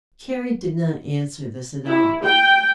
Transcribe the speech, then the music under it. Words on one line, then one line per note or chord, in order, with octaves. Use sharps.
Carrie did not answer this at all.
E4
G5